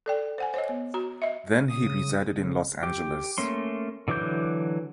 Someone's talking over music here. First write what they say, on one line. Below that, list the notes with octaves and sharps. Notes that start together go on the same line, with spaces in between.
Then he resided in Los Angeles.
A4 D5 G5
C5 F#5 G#5
C5 C#5 D#5
B3
F#4 A#5
D#5 E5
C#3 D#6
C#3
G4
A3 A#3 C#4 C6
D3 E3 F#3 D6 G6